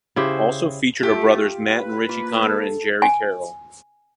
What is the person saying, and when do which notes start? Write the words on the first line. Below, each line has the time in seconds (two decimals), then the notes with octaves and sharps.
Also featured are brothers Matt and Richie Connor and Gerry Carroll.
0.16 C#3 E4 G4 C5
1.03 A3 F4 G4
1.73 B4
2.09 A#3 F4
2.43 A4
3.02 G#5